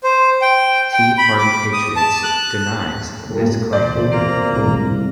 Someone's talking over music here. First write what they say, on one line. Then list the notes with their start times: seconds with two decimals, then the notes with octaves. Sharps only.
Tea Party Patriots denies this claim.
0.04 C5
0.42 G5
0.93 G5
1.18 B5
1.38 D6
1.73 D#6
1.96 A5
2.23 F#6
3.73 C3 E3 C5 D5
4.12 A#3 C4 C5 A#5
4.54 C2